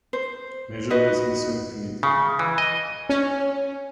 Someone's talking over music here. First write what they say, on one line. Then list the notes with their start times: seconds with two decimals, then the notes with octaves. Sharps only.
Measurements in cm.
0.13 C5
0.90 D#4 F#4 B4 D#5
2.03 C#3
2.39 E3
2.58 D#5
3.09 C#4